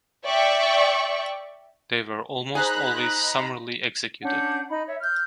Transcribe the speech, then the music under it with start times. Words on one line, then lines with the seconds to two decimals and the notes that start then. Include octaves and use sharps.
They were almost always summarily executed.
0.24 D5 E5 G5 C#6
2.55 D#4 G#4 C5 G#5 A#5 B5 F#6
4.23 C#4 D4 F#5 G6
4.70 D#4 B5
4.86 C#5 E5
5.01 F6 G6